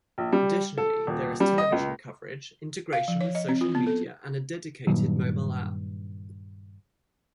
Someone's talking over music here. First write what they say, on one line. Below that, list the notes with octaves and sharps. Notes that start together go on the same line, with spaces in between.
Additionally there is television coverage, integration with social media, and a dedicated mobile app.
A#1
G3
A4
D#1
G3
D#5
C#2
F5
F3
C#5
D#5
C4
F4
B3
A4
G2 A#2 D#3 F#3